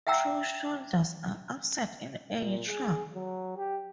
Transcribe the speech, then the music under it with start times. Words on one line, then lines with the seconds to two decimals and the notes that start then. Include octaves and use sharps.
True shoulders are absent in elytra.
0.07 E5 F#5 G5 A#5 E6
2.39 A#2
2.68 G#4
3.14 F#3
3.57 G4